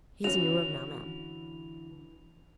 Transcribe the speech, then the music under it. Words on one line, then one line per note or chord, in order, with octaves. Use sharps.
He is in your room now, ma'am.'
D3 E3 C#4 F#4 F7